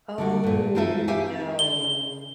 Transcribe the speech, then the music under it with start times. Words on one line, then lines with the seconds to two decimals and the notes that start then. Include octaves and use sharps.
Oh, no.
0.18 D3 G3 F#4
0.44 G2 A#2
0.75 G#3 C4 D#4 F4 A4 E5
1.08 G4 C5 E5 F5 G#5
1.59 G7